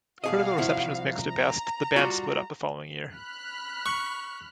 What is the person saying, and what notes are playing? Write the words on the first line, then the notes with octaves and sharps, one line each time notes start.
Critical reception was mixed at best, and the band split-up the following year.
B1 F#4 G#4 D#5 F5
C2 F3 E4
A#5
G3 F4 F#4
B5 F6 F#6
C#6